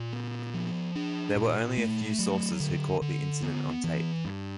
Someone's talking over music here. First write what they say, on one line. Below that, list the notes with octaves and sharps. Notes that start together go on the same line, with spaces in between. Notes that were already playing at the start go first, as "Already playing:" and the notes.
There were only a few sources who caught the incident on tape.
Already playing: A#2
B3
F3
D4
A#2
A3
F#3
D3
D3
B3
E3
G2